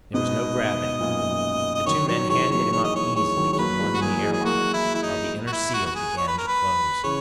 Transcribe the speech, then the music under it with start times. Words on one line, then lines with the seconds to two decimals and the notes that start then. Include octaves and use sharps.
There was no gravity; the two men handed him up easily to the one in the airlock while the inner seal began to close.
0.14 G#2 B2 D#5
1.00 F#2 A#2
1.22 F#2 A#2
1.75 D#5
1.86 D#3 F#3 C#5
2.08 D#3 F#3 C#5
2.29 E3 G#3 C#5
2.51 F#3 A#3 C#5
2.72 E3 G#3 C#5
2.84 D#5
2.94 E3 G#3 C#5
3.16 E3 G#3 C#5
3.37 D#3 F#3
3.53 G#3 C#5
3.58 F#3 A#3 B4
3.80 E3 G#3
3.94 F#4
4.01 F#3 A#3 G#4
4.23 E3 G#3
4.33 G#4
4.45 F#3 A#3 F#4
4.73 E4
4.95 E4
5.02 D#4
5.47 F#4
5.53 E4
5.74 F#4
5.86 F#4
5.95 G#4
6.17 C#5
6.28 B4
6.38 A#4
6.48 B4
7.03 C#3 E3 C#5